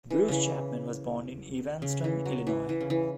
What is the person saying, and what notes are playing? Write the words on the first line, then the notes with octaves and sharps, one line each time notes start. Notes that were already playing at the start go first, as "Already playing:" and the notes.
Bruce Chapman was born in Evanston, Illinois.
E3
C#3 E3
C#3
E3
F#3
E3
E3
C#3
E3